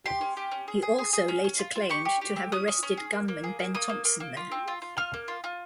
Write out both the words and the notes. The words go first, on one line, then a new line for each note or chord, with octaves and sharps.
He also later claimed to have arrested gunman Ben Thompson there.
G4 C6
C#4
G4
C#4
G#4
G#4
G#4
G#4
C#4
C#4
F4
F4
G4 C#6
G4
G4
C4
C#4 D#6
C#4
C#4
G#4
A#3
A#3
G#4
A#3
A#3 D#6
A#3
A#3
A#3
F4
C4
F4
F4
F4 F6
A#3
F4
F4